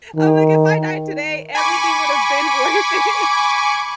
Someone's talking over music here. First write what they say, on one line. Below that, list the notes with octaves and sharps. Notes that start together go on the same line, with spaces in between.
I'm like, "If I died today, everything would've been worth it"
D#3
G#5 B5 C#6 D6